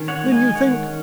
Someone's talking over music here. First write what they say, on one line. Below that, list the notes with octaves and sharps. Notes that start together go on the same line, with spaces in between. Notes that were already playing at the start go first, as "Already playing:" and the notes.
"Then you think--?"
Already playing: D#3 C#4
C#5 F#5
G#3
D#5 G#5
D#3 C#5 F#5
C#4